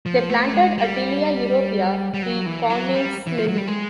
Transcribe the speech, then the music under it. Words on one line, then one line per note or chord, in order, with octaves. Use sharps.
They planted a Tilia europea, the "Koningslinde".
F3
A3
G#3
G3
G3
F#3
E3
F#3
G3
E3
F3
F#3
G3
G#3